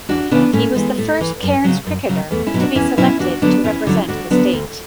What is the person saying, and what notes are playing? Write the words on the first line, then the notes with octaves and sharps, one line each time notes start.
He was the first Cairns cricketer to be selected to represent the State.
E2 D4 F#4
C#3 E3 B3 D4
A2 A3 C#4
E3 G#3 B3
A2 A3
E3
F#2
C#3 F#3
F#2
C#3 F#3
E2 A3
C#4 E4
B2 F#3
D4 F#4
E2 C#4 E4
B2 F#3 C#4 E4
E2 D4 F#4
D3 F#3 B3 D4
E2 C#4 E4
D3 F#3
D2 D4 F#4
D3 F#3 B3 D4
D2